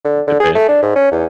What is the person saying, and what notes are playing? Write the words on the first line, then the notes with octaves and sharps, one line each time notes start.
the best.
D3
D3
G#4
A3
D4
G#2
C#4
E2